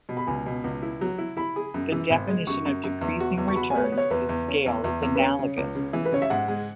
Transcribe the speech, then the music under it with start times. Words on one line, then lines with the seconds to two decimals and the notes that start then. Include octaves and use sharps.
The definition of decreasing returns to scale is analogous.
0.09 B2
0.17 B5
0.27 C#2 G#5
0.46 B2
0.64 C#2
0.82 E4
1.01 F#3
1.18 E4
1.37 E4 B5
1.56 G#4
1.74 F#2
1.92 E3
2.10 G#1
2.29 G#3
2.47 F#2 C#6
2.65 F#2
2.84 F#2
3.01 E2
3.20 F#4
3.37 E2
3.48 C#6
3.56 F#4 B5
3.70 G#5
3.75 B3 B4
3.84 C#5
3.92 B3
3.98 C#5
4.10 E2 B4
4.29 E2
4.48 C#4
4.66 E2
4.84 E2
5.02 E2
5.16 B4
5.20 C#3 C#5
5.39 C#3
5.57 C#2
5.75 C#3
5.93 E3
6.05 B4
6.12 C#3 C#5
6.22 E5
6.30 G#2 F#5
6.48 G#3